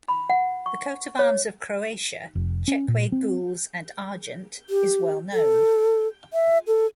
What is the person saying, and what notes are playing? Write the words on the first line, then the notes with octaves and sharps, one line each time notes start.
The coat of arms of Croatia "Chequy gules and argent" is well known.
B5
F#5
C#6
C#5
F1
C#4
A#2
C4
G4
A4
E5
A4